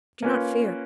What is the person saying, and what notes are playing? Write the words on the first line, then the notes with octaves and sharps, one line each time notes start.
Do not fear.
A#3 C#4 F4 B4